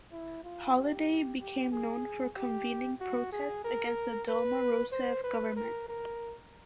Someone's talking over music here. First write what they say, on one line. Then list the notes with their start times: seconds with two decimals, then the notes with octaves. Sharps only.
Holiday became known for convening protests against the Dilma Rousseff government.
0.12 E4
0.44 F4
0.76 G4
1.40 G4
1.72 G#4
2.36 G4
3.00 F#4
3.32 G#4
3.64 A#4
4.29 B4
4.92 C5
5.24 B4
5.56 A#4
5.88 A#4